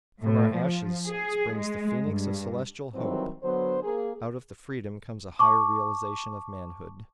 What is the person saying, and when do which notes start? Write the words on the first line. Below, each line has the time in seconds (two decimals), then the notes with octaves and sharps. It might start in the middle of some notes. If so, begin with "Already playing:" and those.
From our ashes springs the phoenix of celestial hope, out of the freedom comes a higher realisation of manhood.
0.23 A2
0.54 F3
1.06 G#4
1.55 G#3
2.04 G2
2.95 D#3 E3 F#3 G3 C4
3.43 D3 F#3 B3 C5
3.83 A#3 G#4
5.39 A5 C#6 D6